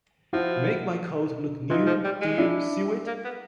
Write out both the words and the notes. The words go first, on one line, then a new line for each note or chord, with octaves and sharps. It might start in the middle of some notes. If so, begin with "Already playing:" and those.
Make my coat look new, dear, sew it?
F3 E4 F#4
E3 D#4 F4
F3
G3
G#3
D4 E4
A#3
B3